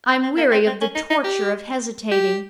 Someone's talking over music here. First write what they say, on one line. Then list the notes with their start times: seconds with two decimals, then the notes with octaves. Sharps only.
I'm weary of the torture of hesitating.
0.09 C4
0.23 C4
0.37 A#3
0.52 C4
0.67 C4
0.81 C#4
0.95 D#4
1.10 D#4
1.24 G4
2.11 G4